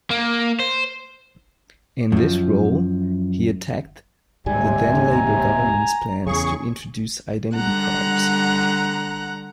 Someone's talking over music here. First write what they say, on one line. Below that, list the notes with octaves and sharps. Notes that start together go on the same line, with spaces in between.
In this role, he attacked the then Labour government's plans to introduce identity cards.
A#3
C5
F#2 F3
D1 D#2 G#2 C3 G3 G#5
A#5
E2 C#3 G#4 C#6
D3 G3 F#5 A#5 F#6